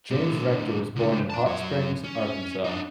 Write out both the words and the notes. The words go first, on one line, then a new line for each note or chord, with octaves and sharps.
James Rector was born in Hot Springs, Arkansas.
A2 D3
C#2 D3
D5 A5
F#2 C#5
C#4
D4 D#4